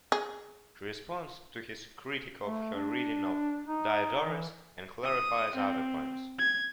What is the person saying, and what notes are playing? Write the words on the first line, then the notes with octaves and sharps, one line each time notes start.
She responds to his critique of her reading of Diodorus and clarifies other points.
G#4
A3
D4
D#4
E3
D#6
C4
G#6